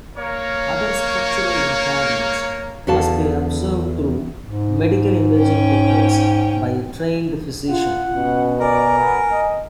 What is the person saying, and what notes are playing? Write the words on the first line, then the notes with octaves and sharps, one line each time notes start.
Other structural impairments must be observed through medical imaging techniques by a trained physician.
A#3 A#4 C#5
E2 E3 F#4 A4 F5 A5
G#2
C#4 G5
F4 F#5
B2 C#4
A#4 D5 G#5
B3
D#5